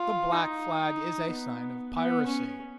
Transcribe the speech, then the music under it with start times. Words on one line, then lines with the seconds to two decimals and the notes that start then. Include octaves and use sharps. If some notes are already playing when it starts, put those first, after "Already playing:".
The black flag is a sign of piracy.
Already playing: F4
0.32 D#4
1.30 B3
1.95 B3
2.27 C#4